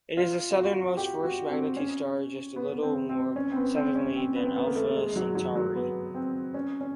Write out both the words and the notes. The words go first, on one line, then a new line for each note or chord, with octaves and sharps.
It is the southernmost first-magnitude star, just a little more southerly than Alpha Centauri.
F4
F4
F#4
G4
F#4
C4
C#4
B3
B3
C4
C4
C#4
C4
B3
C4
C#4
C4
B3
C4
B3
A#3
A3
G#3
F#3
F#3
F#3
B3
C4
C#4
C#4